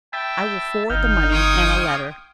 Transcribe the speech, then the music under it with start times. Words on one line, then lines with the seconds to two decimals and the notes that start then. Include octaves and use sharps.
I will forward the money and a letter.
0.13 E5 G5 A5 B5
0.90 G1 D#4 F5 G5
1.32 F5 G5 C6 C#6 D#6 G#6